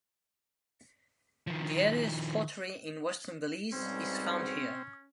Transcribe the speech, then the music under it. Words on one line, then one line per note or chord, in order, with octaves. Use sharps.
The earliest pottery in western Belize is found here.
D#3 F3
B1 G#2 G3 C4 C#4